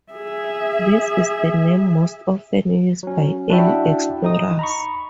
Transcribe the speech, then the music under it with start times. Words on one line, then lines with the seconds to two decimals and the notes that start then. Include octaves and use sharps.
This is the name most often used by early explorers.
0.12 G#4 E5
3.03 F#3 C#4
3.50 D4 E4 F#4 E5 G5
4.24 D#4 D#6
4.59 A#5 B5 C#6